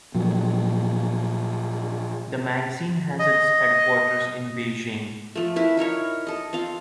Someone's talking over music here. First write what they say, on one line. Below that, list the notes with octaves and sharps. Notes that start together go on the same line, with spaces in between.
The magazine has its headquarters in Beijing.
A#2 F3 F#3
D#5
F3 A3
E4 A#4 B4
D#4 E4 A#4 C#5
A4 D#5
C4 F4 F5